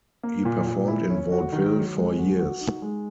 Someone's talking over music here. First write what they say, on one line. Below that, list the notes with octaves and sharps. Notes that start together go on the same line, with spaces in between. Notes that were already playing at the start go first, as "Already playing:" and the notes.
He performed in vaudeville for years.
A#3
A#2
A#2
E4
C#4
F#4
D#3
F#3
G#3
F#4
F#4
D#4
G#3